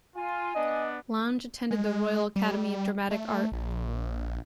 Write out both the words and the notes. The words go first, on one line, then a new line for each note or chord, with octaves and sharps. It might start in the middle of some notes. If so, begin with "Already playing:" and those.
Lange attended the Royal Academy of Dramatic Art.
F4 G#5
B3 D4 D#5
G#3
G3
A3
A#1